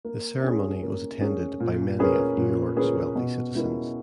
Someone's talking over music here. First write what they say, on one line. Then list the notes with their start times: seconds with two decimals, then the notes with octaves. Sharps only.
The ceremony was attended by many of New York's wealthy citizens.
0.05 A#3
0.44 C#4 G#4
0.83 A#3
1.21 C#4 G#4
1.60 A#2
1.99 A#3 C#4 G#4 B4
2.38 A#2
2.76 A#3 C#4 G#4 B4
3.15 B2
3.54 G#3 C#4 E4 A#4